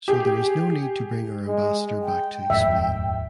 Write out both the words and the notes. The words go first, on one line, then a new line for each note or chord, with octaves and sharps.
So there is no need to bring our ambassador back to explain.
G4 G#4
G#3
G5
D#1 F2 G#2 E5